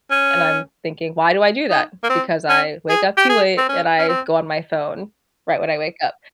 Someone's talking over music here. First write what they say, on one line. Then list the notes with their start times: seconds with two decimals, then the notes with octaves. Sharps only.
and I'm thinking, "Why do I do that? Because I wake up too late, and I go on my phone right when I wake up."
0.11 C#4
1.70 D#4
2.04 A#3
2.10 C4
2.50 C#4
2.89 G#4
3.17 G4
3.30 G#4
3.58 C4
3.69 C#4
3.99 C#4
4.09 C4